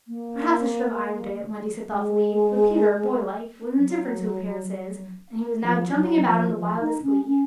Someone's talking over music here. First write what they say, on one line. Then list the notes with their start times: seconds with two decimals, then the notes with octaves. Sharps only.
"Perhaps I should have ironed it," Wendy said thoughtfully, but Peter, boylike, was indifferent to appearances, and he was now jumping about in the wildest glee.
0.08 A#3
1.93 G#3
3.77 F#3
5.63 F3
5.94 F#3
6.24 F3
6.55 F3
6.79 D#4
7.02 C#4
7.26 C#4